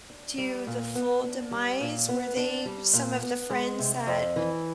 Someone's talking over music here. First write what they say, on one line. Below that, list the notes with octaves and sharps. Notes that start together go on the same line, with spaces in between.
to the full demise? Were they some of the friends that
D4
G3
A#2
B3
D4
G3
A#2
B3
D4
G3
A#2
B3
G#3
C3
F2
E3